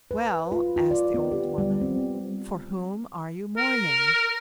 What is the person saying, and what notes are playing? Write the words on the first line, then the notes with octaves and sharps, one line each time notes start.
"Well," asked the old woman, "for whom are you mourning?"
B4
F4
F4
D5
B3
G4
G3
C4
A#4